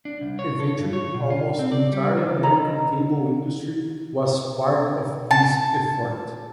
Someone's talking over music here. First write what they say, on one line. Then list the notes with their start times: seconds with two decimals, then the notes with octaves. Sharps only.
Eventually, "almost the entire American cable industry" was part of this effort.
0.05 D4
0.21 C2
0.39 C#5
0.60 A4
0.79 G2
0.93 C#5
1.14 B2
1.30 F4
1.59 C4
1.72 D5
1.92 G3
2.17 D#3
2.43 A4 D#5 A#5 B5
5.31 A5